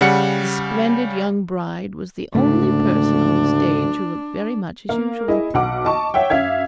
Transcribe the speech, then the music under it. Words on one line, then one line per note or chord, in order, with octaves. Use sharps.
The splendid young bride was the only person on the stage who looked very much as usual.
C#3 G3 F#5 C#7
D2 G#2 C#3 A3 D4
A#3 A#4
E4 G#4 D#5
B1 F#5 D6
D#5 A5 C#6
C#5 E5 F#5 G5
F#2 E5 F5 G#6